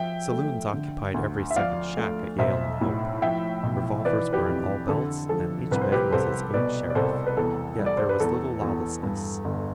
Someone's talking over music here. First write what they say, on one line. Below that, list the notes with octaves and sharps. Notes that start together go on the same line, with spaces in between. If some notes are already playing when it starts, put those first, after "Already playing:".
Saloons occupied every second shack at Yale and Hope; revolvers were in all belts and each man was his own sheriff; yet there was little lawlessness.
Already playing: F3 E5 G5
A3
D3
D2
E5
F3 D5 F5
A3
B1 C5 E5
A2
F3 E5 G5
B1
E3 B4 D5
G4 B4
F2
D3 A4
F3 A4
C2 B4
C5
G4 B4
C2 A4 C5
B2 B4 D5
D5
C2 A4 C5
B4
E2 A4
G3
D5
C5
B4
E2 A4
E2
G2
G1